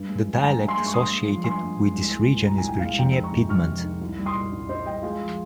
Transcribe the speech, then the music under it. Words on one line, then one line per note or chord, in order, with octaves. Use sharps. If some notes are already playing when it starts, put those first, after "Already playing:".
The dialect associated with this region is Virginia Piedmont.
Already playing: G2
G#3
F3
G#5
G2 G5 A#5
G2
G#5 C6
G#3
C#6
G2 C6 D#6
G#3
F3
G2 G#5 C6
G2
G#3
C2
G#3
A#2
C2 A#5
G#5
C2
G5
G#3 F5 G#5
F2 G5 A#5
D#3
A#5 C#6
C3
F2 C#6 F6
F2
D#3
C2
G3
C6 D#6
A#2
C2
C2 C5 D#5
G3 D#5 G5
G#3 F4 G#4
F3